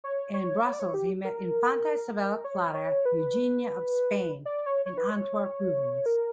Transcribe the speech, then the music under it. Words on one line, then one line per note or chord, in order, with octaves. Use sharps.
In Brussels he met Infanta Isabella Clara Eugenia of Spain; in Antwerp, Rubens.
C#5
C#5
C#5
D5
C#5
G4
A#4
C#5
C#5
B4
D5
C#5
C#5
B4
C#5
A#4